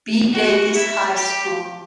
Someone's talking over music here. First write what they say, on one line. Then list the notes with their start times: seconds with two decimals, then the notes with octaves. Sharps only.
B. Davis High School.
0.32 F#4
0.73 E4
1.15 G4